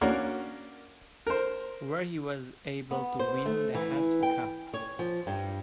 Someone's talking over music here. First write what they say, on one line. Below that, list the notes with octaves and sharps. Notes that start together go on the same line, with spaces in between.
Where he was able to win the Hazfi Cup.
A#3 C#4 D4 F#4 A#4
A#4 C5
B3
C5
A3
E3
G5
C#5
F3
G2